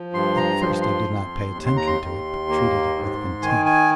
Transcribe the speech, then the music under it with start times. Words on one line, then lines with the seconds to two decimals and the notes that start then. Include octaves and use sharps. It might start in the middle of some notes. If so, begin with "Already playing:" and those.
At first I did not pay attention to it, but treated it with contempt.
Already playing: F3
0.13 G2 C6
0.37 A#5
0.61 F3 C6
0.82 C6
1.08 F2
1.55 D#2
1.66 C6
1.77 A#5
1.87 C6
2.01 D#2
2.49 A#3
2.96 G#2
3.42 D#3 G#5
3.66 G#5